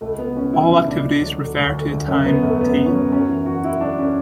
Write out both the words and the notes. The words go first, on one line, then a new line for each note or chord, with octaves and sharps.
All activities refer to a time "t".
C#2 A3
C#2 B3
C#2 C#4
C#2 E4
C#3 E4
C#2 D4
D2
F#3
D3
D2
D3
D2
F#2 C#4
F#2 B3
F#2 A3
F#2 B3
F#2
C#4
F#3
F#2 C#4
E3
E3 F#4
E3 E4
F#2 D4
C#4